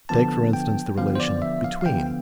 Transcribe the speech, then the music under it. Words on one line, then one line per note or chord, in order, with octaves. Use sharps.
Take, for instance, the relation 'between'.
D3 F3 B3 A5
G5
D3 F3 B3 F5
C5
D5
E5
F5
F5
D3 F3 B3 G5